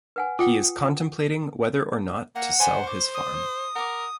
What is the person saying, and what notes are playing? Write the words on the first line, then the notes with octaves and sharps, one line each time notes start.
He is contemplating whether or not to sell his farm.
B4 F#5 G#5
F4 F#5 G5 D#6
A#3 F#5
B4 C5 D5 G#5
C#6 D6
D#6
A#4 F#5 D6